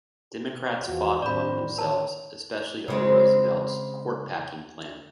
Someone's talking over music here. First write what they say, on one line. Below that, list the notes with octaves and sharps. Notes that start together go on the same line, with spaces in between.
Democrats fought among themselves, especially over Roosevelt's "Court Packing" plan.
B2
E2 F3 F4 F#4
A2 D#3 C4 C5 D5 B5
D#3 A#4 C#5 A5
C#3 G#3 C4